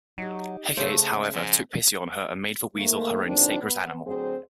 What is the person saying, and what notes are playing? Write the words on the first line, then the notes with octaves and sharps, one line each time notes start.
Hecate, however, took pity on her and made the weasel her own sacred animal.
F#3 D#4 G4
C#3 A3 C5 F5
G#2 F3
G#2 D#3 A3 A#3
D#2 D3 D#3 F3 C4 D4
B3
D2 F#3 C4 G#4 C5